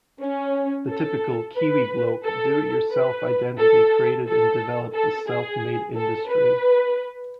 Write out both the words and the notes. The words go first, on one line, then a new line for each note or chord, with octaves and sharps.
The typical "kiwi bloke" "do-it-yourself" identity created and developed this self-made industry.
C#4
A4
B4
A4
B4
A4
A4
A4
G#4
A4
B4